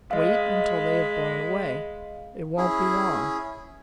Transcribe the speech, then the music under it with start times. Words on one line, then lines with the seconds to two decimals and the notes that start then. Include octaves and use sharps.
Wait, until they have blown away. It won't be long.
0.11 G#3 D#5 F5 B5
2.57 C#4 E4 G#4